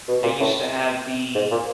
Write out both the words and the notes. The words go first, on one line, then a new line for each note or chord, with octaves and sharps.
they used to have the,
B2
A#2
A2
G#2
A#2